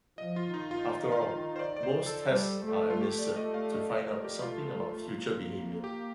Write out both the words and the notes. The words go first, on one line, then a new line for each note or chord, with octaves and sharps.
After all, most tests are administered to find out something about future behavior.
F3 D#5
F4
D#3 D#4
F4
F5
C5
D5
D5
C5
A4
G3
A3
F4
A3 G4
D5
D#5
F5
D#5
D5
A#4
G4
A3 F4
A#3
G4